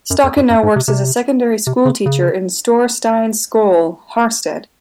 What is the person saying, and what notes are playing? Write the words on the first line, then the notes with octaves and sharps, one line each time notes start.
Stokkan now works as a secondary school teacher in Storsteinnes skole, Harstad.
F#2
F2
F#2
F#2
G#2
C3
C3
C3
C#3
C#3